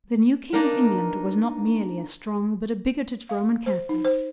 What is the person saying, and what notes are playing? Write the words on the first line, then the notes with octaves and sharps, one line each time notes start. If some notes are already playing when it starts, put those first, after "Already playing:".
The new King of England was not merely a strong but a bigoted Roman Catholic.
A#3 D4 D#4 A#4 B4
F5
C5
D#4
C5